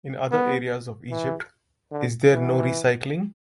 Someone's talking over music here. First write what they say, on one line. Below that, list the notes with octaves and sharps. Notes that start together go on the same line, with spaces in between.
In other areas of Egypt is there no recycling.
B3
E3
D3
E3